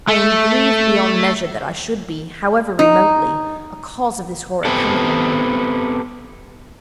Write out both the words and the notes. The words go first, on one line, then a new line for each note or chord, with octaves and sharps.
I am grieved beyond measure that I should be, however remotely, a cause of this horror coming on you.
A3
D#4
B3 C4 G4 A4